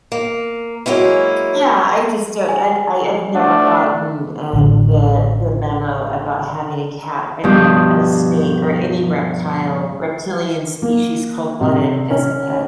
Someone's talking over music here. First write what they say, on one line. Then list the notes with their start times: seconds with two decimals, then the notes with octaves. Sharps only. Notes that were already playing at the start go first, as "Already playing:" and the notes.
Yeah, I just don't I d I have never gotten, um, the the memo about having a cat I mean, a a snake or any reptile reptilian species, cold-blooded, as a pet.
0.12 A#3
0.86 F#3 G#3 A#3 C#4 E4
2.49 G#5
3.35 A3 D4 F#5
4.53 A1 D3
7.44 G2 B2 F3 F4 G4 D#6
10.82 A#3
11.61 C3
12.10 C#4